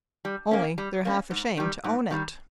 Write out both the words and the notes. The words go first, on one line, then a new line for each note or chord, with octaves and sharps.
Only they're half ashamed to own it.
G3
A#3 C#4
G3
A#3 C#4
G#2
D#3 G3
G#2
D#3 G3